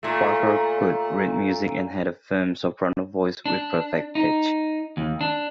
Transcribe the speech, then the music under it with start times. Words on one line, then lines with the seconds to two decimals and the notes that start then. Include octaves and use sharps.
Parker could read music and had a firm soprano voice with perfect pitch.
0.03 A#2 A3
3.46 D4
4.15 D#4
4.97 D#2
5.21 D4